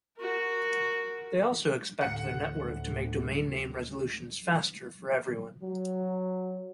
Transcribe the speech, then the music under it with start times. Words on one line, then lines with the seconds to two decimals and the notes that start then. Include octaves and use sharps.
They also expect their network to make domain name resolutions faster for everyone.
0.18 F#4 A#4
2.01 D2 A2 F#5 C#7
5.63 F#3